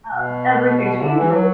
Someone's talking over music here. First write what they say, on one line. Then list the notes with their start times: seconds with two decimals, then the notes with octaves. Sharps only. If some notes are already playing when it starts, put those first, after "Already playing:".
Um, everything changes.
0.14 B2
1.03 D3
1.18 E3
1.32 F#3